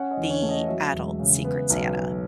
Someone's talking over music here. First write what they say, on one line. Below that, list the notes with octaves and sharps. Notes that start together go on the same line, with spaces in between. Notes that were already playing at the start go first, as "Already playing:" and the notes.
the adult Secret Santa.
Already playing: C#4 F#5
D#5
E2
C#5
A3
D#5
F#3 E5
E1
C#3
B3
B1
F#3